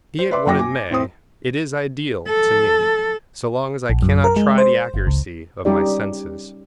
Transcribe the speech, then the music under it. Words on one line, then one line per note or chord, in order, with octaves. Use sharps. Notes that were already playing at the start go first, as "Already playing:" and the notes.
Be it what it may, it is ideal to me, so long as I cannot try the accuracy of my senses.
C5
B4 D5 E5 C6 D6
F#1 F#2 F#4 G5 D6 A#6
G#5 D6
A2 C4 C5 D#6
A4
A#1
F#2
A#4
G#3
C5
G1
C#2
G3 C#4 D#4 G4 D5